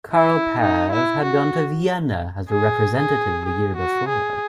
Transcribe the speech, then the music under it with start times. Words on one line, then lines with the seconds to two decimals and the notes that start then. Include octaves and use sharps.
Carl Pathe had gone to Vienna as a representative the year before.
0.13 E4
0.61 D#4
0.93 E4
1.24 F#4
2.50 G#4
2.98 G#4
3.46 G#4
3.77 F#4
4.09 G#4